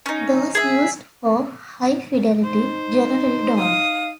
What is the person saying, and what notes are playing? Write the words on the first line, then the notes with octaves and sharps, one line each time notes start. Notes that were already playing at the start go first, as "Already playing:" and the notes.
Those used for high-fidelity generally don't.
C#4 D#4
G#4 E5
D#4 C5
F5 D#6